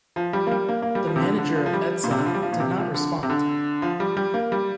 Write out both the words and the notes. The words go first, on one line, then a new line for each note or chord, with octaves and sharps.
The manager of Edsel did not respond.
F3
G3
A#3
G3
A#3
A#3
G3
F3
C3
D3
D3
F3
F3
G3
A#2
C3
D3
F3
G3
F3
A#2
C3
F3
D3
C3
D3
F3
G3
G3
A#3
G3